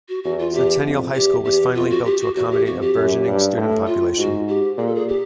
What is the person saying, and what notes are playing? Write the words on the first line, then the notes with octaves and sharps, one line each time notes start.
Centennial High School was finally built to accommodate a burgeoning student population.
F#4
E2 F#4
F4
E2 G4
F2
E2 G4
E2 G4
F2 F4
F#4
G4
F#4
E2 F#4
G4
F2 F#4
G4
F#2
G2
A2
F4
G#2 F#4
G4
A#2 G#4
A4
G#4
G4